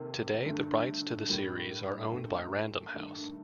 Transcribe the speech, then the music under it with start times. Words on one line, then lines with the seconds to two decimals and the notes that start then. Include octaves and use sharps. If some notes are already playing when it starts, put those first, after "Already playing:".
Today the rights to the series are owned by Random House.
Already playing: C3 D#3 A#3 A4
0.45 G2 D3 A3
1.29 A2 G3 A#3
2.12 A#1 A#2 A3
2.94 G2 D#3 A3